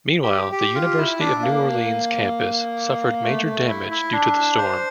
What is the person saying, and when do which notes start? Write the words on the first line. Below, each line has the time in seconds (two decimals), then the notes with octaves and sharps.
Meanwhile, the University of New Orleans campus suffered major damage due to the storm.
0.23 G4
0.52 G4
0.75 F4
0.97 E4
1.20 D4
1.42 A#3
3.23 A3
3.45 A3
3.68 E4
3.91 E4
4.13 D4
4.58 C5